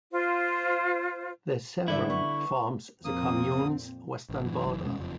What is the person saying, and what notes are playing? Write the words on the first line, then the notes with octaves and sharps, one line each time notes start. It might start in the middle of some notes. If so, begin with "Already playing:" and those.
The Sevron forms the commune's western border.
F4 C5
G2 D3 E4 D5 E5
B3 C#6
F2 A#2 A#3 C4 D#6
A1
F#2 E3
F#1 F#2 E3
D#1 B2 G#3 C#4
F#1 F2 F3